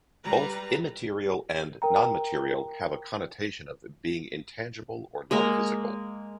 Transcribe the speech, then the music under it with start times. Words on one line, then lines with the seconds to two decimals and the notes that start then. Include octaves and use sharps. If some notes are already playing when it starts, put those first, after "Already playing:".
Both "immaterial" and "non-material" have a connotation of being intangible or non-physical.
0.24 G3 B4 A#5
1.82 A#4 G5 A#5
5.31 G#3 A#3 A#4